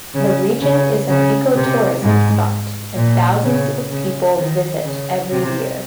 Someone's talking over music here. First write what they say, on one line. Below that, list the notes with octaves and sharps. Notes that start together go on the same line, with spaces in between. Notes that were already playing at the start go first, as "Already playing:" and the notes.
The region is an eco-tourism spot, and thousands of people visit every year.
C#3
C#3
C#3
C3
G#2
A#2
C#3
C#3
D#3
C#3
C3